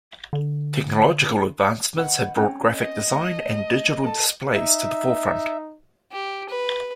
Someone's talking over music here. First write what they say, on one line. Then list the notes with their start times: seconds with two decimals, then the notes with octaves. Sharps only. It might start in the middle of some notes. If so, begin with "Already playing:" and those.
Technological advancements have brought graphic design and digital displays to the forefront.
0.33 D3
1.96 D#3 B4 F#5
2.36 C4 C#4
2.74 D#5
3.12 A3
4.04 A4 A5
4.54 D#4 E5
6.12 G4
6.50 B4